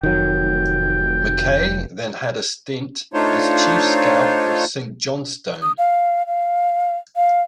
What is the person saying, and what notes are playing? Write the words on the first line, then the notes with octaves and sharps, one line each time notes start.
Mackay then had a stint as chief scout of Saint Johnstone.
F1 D#3 F#3 G5
A3 D4 D#4 F4 C5 C#5
D#6
F5
F5
F5